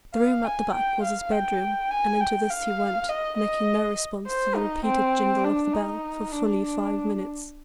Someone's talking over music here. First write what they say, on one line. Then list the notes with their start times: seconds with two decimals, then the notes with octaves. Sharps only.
The room at the back was his bedroom, and into this he went, making no response to the repeated jingle of the bell for fully five minutes.
0.14 F5
0.44 G#5
0.73 G5
1.03 F5
1.32 G5
1.91 G#5
2.20 G5
2.50 F5
3.09 D#5
3.38 D#5
4.26 C5
4.56 D#4
4.85 C4
5.44 D4
5.73 D#4
6.32 D4